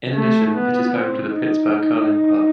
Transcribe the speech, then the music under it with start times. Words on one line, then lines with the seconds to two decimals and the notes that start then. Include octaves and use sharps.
In addition, it is home to the Pittsburgh Curling Club.
0.14 A3
0.56 B3
0.99 C4
1.41 D#4